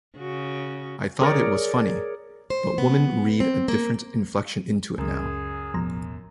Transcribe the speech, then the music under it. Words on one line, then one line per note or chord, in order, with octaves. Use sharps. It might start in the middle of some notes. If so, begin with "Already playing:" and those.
I thought it was funny, but women read a different inflection into it now.
C#3 F#4
G#4 A#4 C#5 D5
C5
B3
C4
A#3
C#2 F#2 G#4
A1 E2 B2 F3 A#5